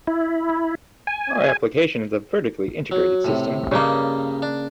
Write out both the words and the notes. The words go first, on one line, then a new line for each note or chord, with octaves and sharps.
Our application is a vertically integrated system.
E4
G#5
F#3
A2 C3
G2 C#3 G3 A#3 D#5
D4